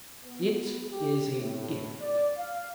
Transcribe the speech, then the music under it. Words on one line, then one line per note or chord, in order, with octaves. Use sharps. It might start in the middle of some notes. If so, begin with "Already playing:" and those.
It is a gift....
B3
G4
A2
D5
F5